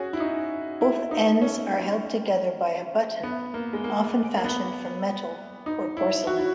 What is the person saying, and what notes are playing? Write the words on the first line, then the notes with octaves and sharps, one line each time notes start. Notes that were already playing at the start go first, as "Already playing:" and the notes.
Both ends are held together by a button, often fashioned from metal or porcelain.
Already playing: C#4 F#4 G#4
E4
D#4
E4
D#4
C#4
B3
A#3
G#3
A#3
A#3
B3
D#4
E4
F#4
E4